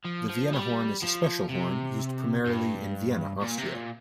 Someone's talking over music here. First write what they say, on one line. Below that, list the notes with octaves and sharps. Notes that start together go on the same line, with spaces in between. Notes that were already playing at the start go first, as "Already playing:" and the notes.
The Vienna horn is a special horn used primarily in Vienna, Austria.
F3
F3
G3
F3
C3
G2
A#2
C3
A#2